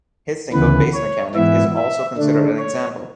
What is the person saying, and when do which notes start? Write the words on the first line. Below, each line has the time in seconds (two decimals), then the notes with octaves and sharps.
His single "Bass Mechanic" is also considered an example.
0.52 D2 C#3 E3 B3 B4
0.94 C#5
1.34 G#2 E3 B3 E4 E5
1.77 E5
2.17 D3 A3 D4
2.59 C#5